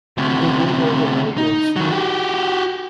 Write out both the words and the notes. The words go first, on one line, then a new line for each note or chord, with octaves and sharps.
They go where the money goes.
D2 C3
D#4
D#3 F#3
F#4 G4